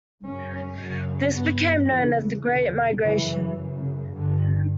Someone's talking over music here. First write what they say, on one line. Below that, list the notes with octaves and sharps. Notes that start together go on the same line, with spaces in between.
This became known as the Great Migration.
F#2 C#3 C#4
F#2 C#3
G2 B3
E2 C#3 E3
E2 B2 D3
F#2 C#3 E3
F#2 C#3
G2 D3